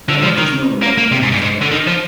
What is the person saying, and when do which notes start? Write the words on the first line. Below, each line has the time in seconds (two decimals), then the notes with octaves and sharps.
Not much is known about Patrick's private life.
0.09 D3
0.23 F3
0.38 D#3
0.83 A#3
0.98 A#3
1.12 C3
1.23 G#2
1.32 G2
1.42 G#2
1.62 D3
1.71 D#3
1.87 F3